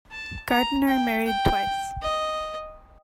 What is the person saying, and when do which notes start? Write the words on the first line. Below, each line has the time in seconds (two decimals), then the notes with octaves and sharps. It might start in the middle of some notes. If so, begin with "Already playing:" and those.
Gardiner married twice.
0.11 A5
0.50 A#5
0.87 G5
1.26 G5
2.02 D#5